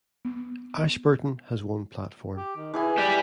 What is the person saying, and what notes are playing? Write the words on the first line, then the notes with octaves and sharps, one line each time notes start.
Ashburton has one platform.
B3
G4
D#3
E3 E4 G#4 G#5
G4 B4 D5